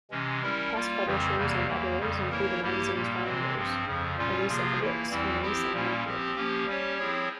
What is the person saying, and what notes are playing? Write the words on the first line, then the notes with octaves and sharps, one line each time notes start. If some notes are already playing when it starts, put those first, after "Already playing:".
Past publishers and editors include the magazine's founder, Elisa Hendricks, and Lisa Manfield.
C3 E3 G#3 C#4
G3 C#4 E4 A#4
G3 A#3 F4
F2 C#3 E3 G3 C4
E2 C3 E3 G3 A#3
E2 E3 A#3
F2 C#3 G3
E3 A#3 E4 A#4 C#5
G2 G3 A#3 E4 G4
A#2 G3 A#3
C3 E3 G#3 C4
G2 F3 C4
F2 C#3 F3
A#2 G3 C#4 F4
C3 F3 A#3 F4 G#4
E3 A#3 E4
E2 E3 G3 C4 E4
F3 C4 E4 G4
A#2 G3 A#3 C#4 E4
F3 C4 G4
F3 A#3 C#4 G4
G3 C#4 G4 C#5
F3 C4 E4 G#4 C#5